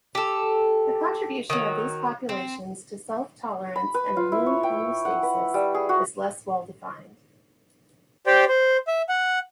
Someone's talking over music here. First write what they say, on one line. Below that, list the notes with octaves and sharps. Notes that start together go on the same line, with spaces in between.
The contribution of these populations to self-tolerance and immune homeostasis is less well defined.
G4 A4
D#3 F#3
C4
B5
B4
F4
E4
C#5
G5
F#5
B4
G3
G#4
F#4
G4 C5 D5 G5
C5
E5
F#5